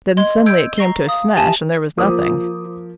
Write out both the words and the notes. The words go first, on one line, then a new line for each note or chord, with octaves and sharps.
Then suddenly it came to smash, and there was nothing.
D#5 C6 G#6
E6 G6 G#6 D7
A#5 C#6 A#6 C7 G7
F5 D#6
G4 E5 G#5 A5 A#6
F3 A#3 F4 C5 D6 D#6